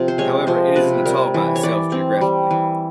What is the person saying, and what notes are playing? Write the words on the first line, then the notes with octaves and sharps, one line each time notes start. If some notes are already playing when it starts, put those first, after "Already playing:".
However it is an atoll by itself geographically.
Already playing: C3 F3
C5
G#3 C#5
F3 C5
C3 B4
G3 A#4
E3
C#5
E3 D5
C4
G3
E3